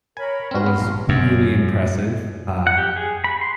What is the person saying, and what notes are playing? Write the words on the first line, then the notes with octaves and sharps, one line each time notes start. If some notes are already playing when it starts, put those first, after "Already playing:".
oh, was really impressive. Uh,
A#4 C#5 G#5 B5
C4 F#4 C6 F6
B3
A#1
F#2
F#5
G4
G#4
B5
C6